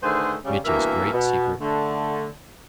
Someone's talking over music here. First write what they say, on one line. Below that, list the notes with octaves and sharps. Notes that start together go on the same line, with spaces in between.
Mitya's Great Secret.
D3 D#3 A3 G#4 B4 C5
C#3 G3
G2 B2 E3 A#3 A#4 E5
B2
D3 A3